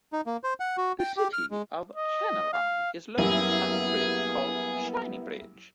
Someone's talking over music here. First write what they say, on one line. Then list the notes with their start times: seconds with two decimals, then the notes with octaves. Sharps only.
The city of Chenaran is located under the bridge called Shiny Bridge.
0.13 D#4
0.26 A#3
0.44 C5
0.60 F#5
0.77 F#4
0.99 G5
1.17 G4
1.33 F6
1.51 G#3
1.96 D#5
2.53 F5
3.18 F#2 G3 A#3 B3 E4 G#4